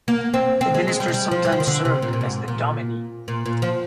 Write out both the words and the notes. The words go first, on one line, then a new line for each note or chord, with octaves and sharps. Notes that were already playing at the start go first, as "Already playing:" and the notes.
The minister sometimes served as the dominie.
A#3
C4
C4
G#3
G#3
G3
G#3
G3
F3
G3
F3
D#3
D3
C3
A#2
A#2
G#2
A#2
A#2
A#2
F3